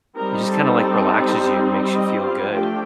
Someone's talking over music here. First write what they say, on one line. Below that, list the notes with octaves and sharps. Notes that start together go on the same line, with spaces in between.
it just kinda like relaxes you and makes you feel good.
G3 C4 D#4 A#4 A#5
A4 A5
D#4 D#5
F4 F5
F3 A3 D4 G4 G5